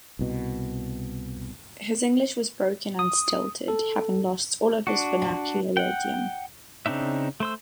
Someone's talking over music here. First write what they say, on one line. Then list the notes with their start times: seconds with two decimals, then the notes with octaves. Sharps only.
His English was broken and stilted, having lost all his vernacular idiom.
0.19 C2 B2
2.99 D#6
3.68 A4
4.87 D4 F#4
5.77 F#5 G5
6.86 C#3 C4 D4 D#4 E5
7.40 A3 C5 E6